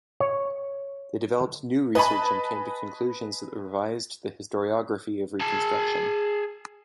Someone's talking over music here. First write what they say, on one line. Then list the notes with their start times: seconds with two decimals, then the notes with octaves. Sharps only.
They developed new research and came to conclusions that revised the historiography of Reconstruction.
0.20 C#5
1.95 B4 D#5 G#5 A5 B5
5.41 G#4 A5